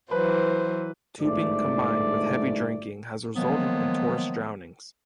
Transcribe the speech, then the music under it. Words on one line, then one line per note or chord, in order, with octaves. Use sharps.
Tubing combined with heavy drinking has resulted in tourist drownings.
E3 F#3 B4 C5
G1 G#2 A3 D5
D#3 F3 F#3 G#3 A#3 B3